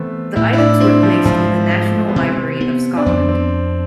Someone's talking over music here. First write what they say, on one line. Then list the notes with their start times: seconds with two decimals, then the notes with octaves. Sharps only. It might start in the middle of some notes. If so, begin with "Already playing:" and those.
The items were placed in the National Library of Scotland.
Already playing: E3 A3 B3 C4
0.36 A2 E4
0.53 E4
0.58 D4
0.80 C4 D4
1.03 F3
1.25 G#2 F3
1.71 G#3
2.09 B3
2.16 C3 C4
2.61 B3
2.97 D4
3.06 F2 C4
3.29 C4